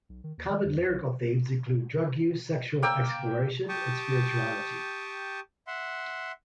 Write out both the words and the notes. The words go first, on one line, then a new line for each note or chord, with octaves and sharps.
Common lyrical themes include drug use, sexual exploration, and spirituality.
B1
D#3
D#2
D#3
F2
F2
B1
A#3 G5 E6
G4 G5 A5 C#6 D#6
E5 F#5 C6